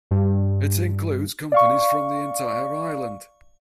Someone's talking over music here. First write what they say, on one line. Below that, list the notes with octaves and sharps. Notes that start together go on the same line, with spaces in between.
It includes companies from the entire island.
G2
D5 F5 C#6